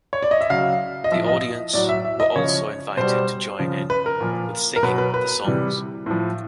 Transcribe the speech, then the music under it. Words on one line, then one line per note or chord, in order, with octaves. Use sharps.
The audience were also invited to join in with singing the songs.
C#5
D5
D#5
E5
C#3 F#3 F5
D#5
A2 F3 E5
D#5
A2 F#3 D5
E5
E5
D#5
C#3 F3 C#5
B2 G3 C5
C#3 F3
B4
A#4
A#2 F3
A#4
B2 F#3 B4
B4
B4
C3 E3 G3
A2 F3